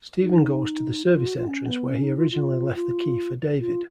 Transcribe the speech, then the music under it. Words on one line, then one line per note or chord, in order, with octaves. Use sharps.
Steven goes to the service entrance where he originally left the key for David.
D#4
F4
F4
F#4
F4
C#4
B3
C#4
D#4
F4
F4
F4
F4